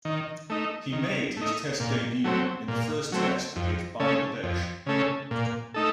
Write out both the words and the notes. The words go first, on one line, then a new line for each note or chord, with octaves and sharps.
He made his Test debut in the first Test against Bangladesh.
D#3
A3 D#4
D#3
A3 D#4
A#2
F#3 A3 C4
A#2
F#3 A3 C4
F2
C#3 A3 C#4 A4
F2
C#3 A3 C#4 A4
A#2
A3 D#4 A4